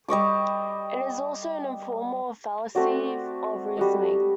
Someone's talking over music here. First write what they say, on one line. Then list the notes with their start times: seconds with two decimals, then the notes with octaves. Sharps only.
It is also an informal fallacy of reasoning.
0.08 G3 D#5 C#6 D6
2.75 A3 C4 F#4 D5
3.77 G3 F#4 D#5